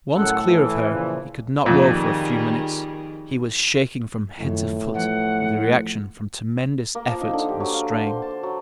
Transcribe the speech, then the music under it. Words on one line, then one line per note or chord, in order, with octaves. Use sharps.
Once clear of her he could not row for a few minutes; he was shaking from head to foot with the reaction from tremendous effort and strain.
F#2 A2 A4 F#5
E3
A#2 C#3 F3
F2 A#2 D#3 G3 G#4
F#2 A2 D#3 F3
E3 F3 A3 F#5
A#3
F3
D#4
D3
G4
F#3
F5
D3
C5
A5
F#3